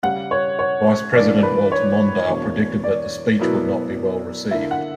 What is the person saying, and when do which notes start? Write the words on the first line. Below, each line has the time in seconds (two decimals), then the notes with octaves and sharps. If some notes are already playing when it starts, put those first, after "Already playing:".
Vice President Walter Mondale predicted that the speech would not be well received.
0.03 C#3 G3 C#4 G4 F#5
0.31 C#5
0.59 C#5
1.15 E3 A#3 D4 D5
1.43 B4
1.72 C#5
2.27 E2 B2 A#3 D4
2.84 D5
3.39 B2 F#3 B3 E4 A#4
4.51 D3 A#3 E4 E5
4.71 F#5